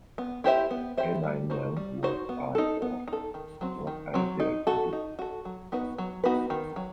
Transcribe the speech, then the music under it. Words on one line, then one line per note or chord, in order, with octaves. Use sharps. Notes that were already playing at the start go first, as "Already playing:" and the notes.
Had I known what I ought, what I dared to do!
B3
E4 G4 C5 E5
B3
E4 G4 C5 E5
G3
D#4 F#4 C5
G3
D#4 F#4 C5
B3
D#4 A4
B3
D#4
A4
D#3
F#3 C4
D#3
F#3 C4
D#4
F#4 A4
D#4
F#4 A4
F#3
B3 D#4 F#4 B4
F#3
B3 D#4 F#4 B4
D#3
F#3